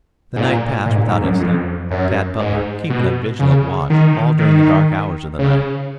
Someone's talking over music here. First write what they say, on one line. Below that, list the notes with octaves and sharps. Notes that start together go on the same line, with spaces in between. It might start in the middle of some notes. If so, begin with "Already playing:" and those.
The night passed without incident, Tad Butler keeping a vigilant watch all during the dark hours of the night.
G#2
A#2
A#2
G#2
G#2
F#2
F2
F#2
G#2
B2
C#3
D#3
D#3
C#3